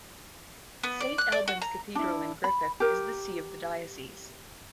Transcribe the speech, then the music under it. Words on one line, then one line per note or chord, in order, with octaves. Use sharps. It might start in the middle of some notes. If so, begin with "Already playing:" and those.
Saint Albans Cathedral in Griffith is the see of the diocese.
B3
D5
F#6
D5
F#4
A#5
D4 E4
B5
G4 A#4